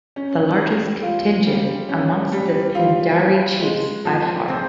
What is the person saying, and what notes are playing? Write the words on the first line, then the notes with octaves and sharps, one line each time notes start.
The largest contingent amongst the Pindari chiefs, by far.
C#4
G3
F4
G3
C#4
G3
F4
G3
G#3
F3
C4